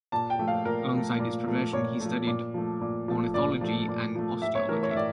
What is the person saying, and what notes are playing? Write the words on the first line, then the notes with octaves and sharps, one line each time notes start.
Alongside his profession he studied ornithology and osteology.
A#2 A5
G5
F3 A3
F5
A#2 A#4
F3 A3
A#2
F3 A3
A#2 C#5
A3
F3
A#2
F3 A3
A#2
F3 A3
A#2 D5
F3 A3
A#2
F3 A3
A2 E5
C#5
E3 A3 A#4
C#5
E5
A2 D5